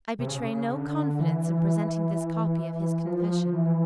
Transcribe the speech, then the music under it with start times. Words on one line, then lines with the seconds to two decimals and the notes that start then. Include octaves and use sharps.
I betray no confidence in presenting this copy of his confession.
0.19 C3
0.27 C#3
0.74 D3
1.20 E3
3.07 F3
3.53 E3